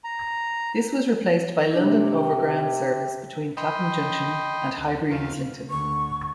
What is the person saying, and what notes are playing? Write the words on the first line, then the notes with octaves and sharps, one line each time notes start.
This was replaced by London Overground's service between Clapham Junction and Highbury and Islington.
A#5
C3 D4
G5
D#5 G5 B5 C6
D2
D#2 F4
D2 D3 C#6